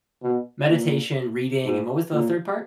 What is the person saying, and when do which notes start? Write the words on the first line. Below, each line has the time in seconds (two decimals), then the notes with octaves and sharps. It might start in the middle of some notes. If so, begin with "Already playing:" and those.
meditation, reading, and what was the third part?
0.23 B2
0.70 A#2
1.65 G#2
2.13 A#2